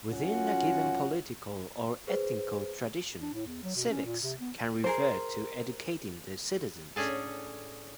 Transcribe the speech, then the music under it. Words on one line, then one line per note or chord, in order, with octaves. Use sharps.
Within a given political or ethical tradition, "civics" can refer to educating the citizens.
F#2 C#4 F4 F#4 F#5
G#4 B4 C5
D4
A2
E2
F#3
B2
C#4
A#2
C3
B3
G#4 A#4 C5
A2 C#4 D4 G#4 A4